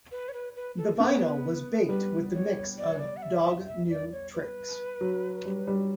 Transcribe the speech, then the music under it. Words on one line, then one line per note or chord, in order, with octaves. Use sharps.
The vinyl was backed with the mix of "Dog New Tricks".
B4
C#5
B4
B4
A4
B3 B4
C#5
B4
G3 B4
C#5
D5
C#5
D5
F#5
E5
E5
D5
C#5
B4
F#3
G3
G3